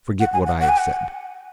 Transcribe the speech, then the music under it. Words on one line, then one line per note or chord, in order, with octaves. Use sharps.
Forget what I have said.
F#5
G#5
F#5
F#5
G#5
F#5